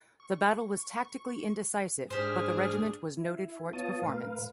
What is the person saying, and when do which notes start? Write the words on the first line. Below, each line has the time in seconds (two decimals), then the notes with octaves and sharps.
The battle was tactically indecisive, but the regiment was noted for its performance.
0.20 C#6
2.10 G#2 D4 G4 G#4 C5 G#5 F6
3.17 E4
3.73 B3 F4 C#5 A5 D#6
4.03 A2 A#4 B4 F5